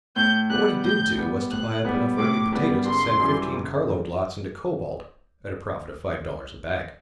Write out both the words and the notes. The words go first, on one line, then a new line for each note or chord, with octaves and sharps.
But what he did do, was to buy up enough early potatoes to send fifteen carload lots into Cobalt at a profit of five dollars a bag.
A2 G6
G3 B3 F#6
A2 G6
G3 B3
A2 F#6
G3 B3
A2 D6
G3 B3
F#1 C6
F#2 E3 G3
F#1